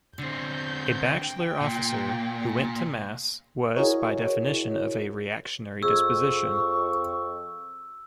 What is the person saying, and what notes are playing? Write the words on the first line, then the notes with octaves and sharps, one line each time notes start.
A bachelor officer who went to Mass was by definition of a reactionary disposition.
D3 C4 G6
G5
A#2
E4 F#4 G#4 A#4 C#5 D#5
F2 G#4 C#6 E6